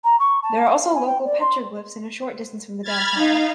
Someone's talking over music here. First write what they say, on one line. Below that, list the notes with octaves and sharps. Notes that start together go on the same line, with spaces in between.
There are also local petroglyphs a short distance from the downtown.
A#5
C#6
A5
F5
G#5
G5
D5
C6
B5 F6 G#6 A6
D#4 F5